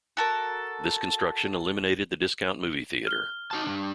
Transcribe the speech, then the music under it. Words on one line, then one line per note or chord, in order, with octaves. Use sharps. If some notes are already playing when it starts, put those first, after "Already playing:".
This construction eliminated the discount movie theater.
F#4 A4 A#4
F6 G7
D#4 F#4 A5
G2 C#3 D4